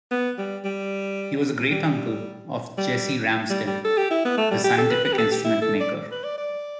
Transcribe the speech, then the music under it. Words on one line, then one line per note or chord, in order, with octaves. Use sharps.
He was a great-uncle of Jesse Ramsden, the scientific instrument maker.
B3
G3
G3
G3
G3
G3
G3
A4
G4
E4
B3
A3
G3
G4
A4
B4
B4
G4
A4
G4
E4
A4
D5
B4
D5
D5